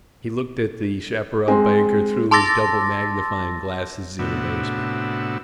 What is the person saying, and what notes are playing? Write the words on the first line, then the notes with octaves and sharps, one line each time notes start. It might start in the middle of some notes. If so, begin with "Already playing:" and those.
He looked at the chaparral banker through his double-magnifying glasses in amazement.
G#3 C4
A5 C6 D6 E6 A6 A#6
A2 C3 B3 D4 F#4 E6